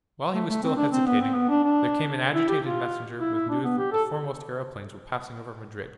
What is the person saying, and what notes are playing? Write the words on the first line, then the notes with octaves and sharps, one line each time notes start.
While he was still hesitating there came an agitated messenger with news that the foremost aeroplanes were passing over Madrid.
A3
A3
C4
D4
C4
B3
C4
B3
D4
D4
E4
G4
F4
E4
E4
D4
B3
G4
A4